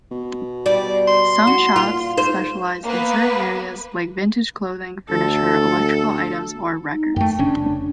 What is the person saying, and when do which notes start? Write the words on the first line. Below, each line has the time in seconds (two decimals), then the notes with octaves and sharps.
Some shops specialise in certain areas, like vintage clothing, furniture, electrical items, or records.
0.11 B2
0.66 G3 D5
1.08 C6
1.47 F#4
1.76 A#2 F4
2.18 G#2 C5
2.84 A#3 B3 B4
5.10 D2 A4
6.90 D#4
7.16 F#2 A3 G5
7.38 F1 C#3 C#4 D4